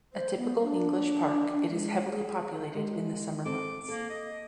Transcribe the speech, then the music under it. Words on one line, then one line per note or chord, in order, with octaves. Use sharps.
A typical English park, it is heavily populated in the summer months.
C5
B3
D4
G#3
G#4
G#3 G4
C4 A4 D6
A#3 A4
D#5